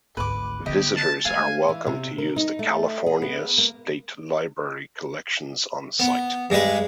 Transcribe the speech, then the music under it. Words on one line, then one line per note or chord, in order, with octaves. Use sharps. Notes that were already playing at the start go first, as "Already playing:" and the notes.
Visitors are welcome to use the California State Library collections on site.
G#1 D2 B4 D6
D3 B3 G4 D#5
A5
G#3 A3 F5 G#5
E3
C3
A#4
D#4
A3
G#4
B3
A#3
B3
G2 G#3 G#4 B4